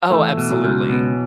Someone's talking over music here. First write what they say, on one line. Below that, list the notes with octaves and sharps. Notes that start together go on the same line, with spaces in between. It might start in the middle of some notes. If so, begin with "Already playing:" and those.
Oh, absolutely.
E3 A3
B2
F#3
C#2
B2 B3